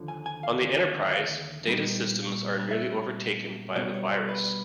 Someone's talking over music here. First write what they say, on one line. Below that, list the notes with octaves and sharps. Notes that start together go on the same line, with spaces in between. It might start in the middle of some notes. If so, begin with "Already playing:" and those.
On the "Enterprise", Data's systems are nearly overtaken by the virus.
Already playing: D#2 D3 F3
G#5
G#5
F5
E5
F5
A#2 G3 B3 D#4
E5
B2 G3 B3 D4 D5
C#5
C5
B4